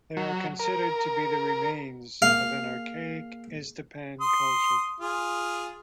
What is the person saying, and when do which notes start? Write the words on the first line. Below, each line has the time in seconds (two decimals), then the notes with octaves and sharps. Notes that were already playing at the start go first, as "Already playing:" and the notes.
They are considered to be the remains of an archaic Iztapan culture.
0.17 F#3
0.59 A#4
2.22 A#3 G#4 F5
4.21 C6 D#6
5.00 F4 G#4